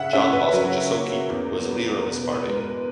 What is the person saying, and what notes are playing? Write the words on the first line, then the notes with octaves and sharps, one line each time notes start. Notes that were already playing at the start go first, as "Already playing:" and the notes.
John Bosco Jasokie was the leader of this party.
Already playing: C#3 E5 F#5
C#4 E5
B4
F#3 A#4
A#3
E2
B3
A#4
B2 B4
B4
G#3
A#4
B4